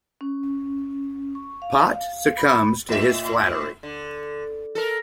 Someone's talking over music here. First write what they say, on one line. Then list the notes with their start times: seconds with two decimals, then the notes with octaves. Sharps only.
Pot succumbs to his flattery.
0.21 C#4
1.35 C#6
1.62 F5
2.37 B5
2.89 A2 E5
3.83 D3
4.75 A4 A#4